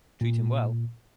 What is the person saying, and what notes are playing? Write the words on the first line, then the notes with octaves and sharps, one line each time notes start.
Treat him well!
A#2